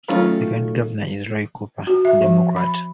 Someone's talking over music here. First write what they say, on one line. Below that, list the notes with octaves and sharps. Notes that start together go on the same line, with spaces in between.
The current Governor is Roy Cooper, a Democrat.
D#3 F#3 A3 C#4 F4
F#4
E5
F3
B5